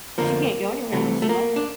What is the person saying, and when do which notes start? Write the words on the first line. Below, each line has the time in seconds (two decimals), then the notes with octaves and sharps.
she can't go anywhere unless you let her.
0.18 F2 D3 F3 A#3
0.92 C2 C3 E3 A3
1.22 A3
1.29 A#3
1.56 D4